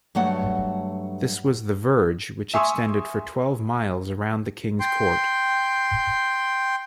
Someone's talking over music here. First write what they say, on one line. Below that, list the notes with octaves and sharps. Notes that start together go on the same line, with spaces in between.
This was the verge, which extended for twelve miles around the king's court.
G2 F#3 A3 F#5
E5 G#5 C6 C#6 D#6 E6
G5 C6